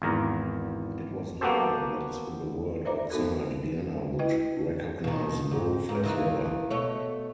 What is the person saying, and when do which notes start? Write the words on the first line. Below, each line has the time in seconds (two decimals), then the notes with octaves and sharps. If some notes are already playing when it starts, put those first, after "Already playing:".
It was now that the world outside Vienna would recognize Wolf as well.
0.02 G#1 E2 A#4
1.41 A#3 B3 F#4 G4 A4 C5
2.85 C5 D5 E5 A#5 D6
3.10 B3 D#4 F#4 A4 A#4
4.19 E4 B4 D#5 G5
5.04 B2 D#3
5.51 G#2
5.89 G#2
6.03 D#3 E3 A#3
6.70 B2 A3 C#5